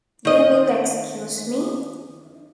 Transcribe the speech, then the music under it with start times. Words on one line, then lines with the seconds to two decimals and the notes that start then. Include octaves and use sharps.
You will excuse me.
0.25 D#3 D#5